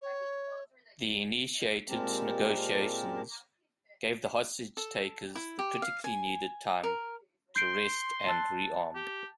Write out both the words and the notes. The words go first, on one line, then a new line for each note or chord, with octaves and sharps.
The initiated negotiations gave the hostage-takers the critically needed time to rest and rearm.
C#5
A#2 G#3 C4 G4 A#4 A5
A4
E4
G4
F5
G#5
A#4
C6 G6 C7 D7
A5 E6 F#6
G4